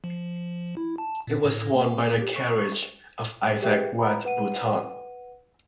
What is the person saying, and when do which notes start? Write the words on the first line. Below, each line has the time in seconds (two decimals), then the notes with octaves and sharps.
It was won by the carriage of Isaac Watt Boulton.
0.04 F3
0.77 E4
0.98 A5
1.27 A#2
1.44 A2
1.75 A#3
2.22 G4
2.36 C#6
3.62 G4 G#4 B4 E5 G5
3.99 B4 F5 A#5 B5
4.25 B4 F#5 D#7